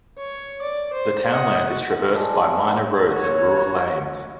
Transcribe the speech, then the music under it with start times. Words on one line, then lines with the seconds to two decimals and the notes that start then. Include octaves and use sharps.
The townland is traversed by minor roads and rural lanes.
0.18 C#5
0.62 D5
0.93 C5
1.32 D#5 F#5
1.67 F#4
2.15 G#3 D4
3.10 F#4 C#5